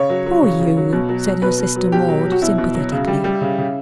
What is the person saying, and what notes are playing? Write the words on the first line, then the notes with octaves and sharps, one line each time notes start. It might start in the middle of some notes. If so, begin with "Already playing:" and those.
"Poor you!" said her sister Maude sympathetically.
Already playing: C#3 C#5
F#3
F#3
C#3
C#3
F#3
B2
F#3
F#3
B2 B4
B2
F#3
B2 G4
F#3
F#3
F#4
B2 E4
B2
F#3
C#3
G3
G3
C#3
C#3